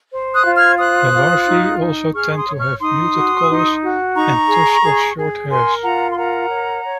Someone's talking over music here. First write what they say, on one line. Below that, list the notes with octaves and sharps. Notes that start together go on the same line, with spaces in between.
The larvae also tend to have muted colors and tufts of short hairs.
C5
D#6 F#6
F4
F6 G#6
C5 D#6 F#6
F4
D#4
D#4
G#4 C#6 F6
C#6
C6 D#6
C#5
C#6 F6
D#4 C6 D#6
F#4
D#4
F#4
D#4 A#5 C#6
G#4
G#4
G#4
A#4 G#5 C6
F4 F#5 A#5
C6
A#4 F#5 A#5
C#5
C#5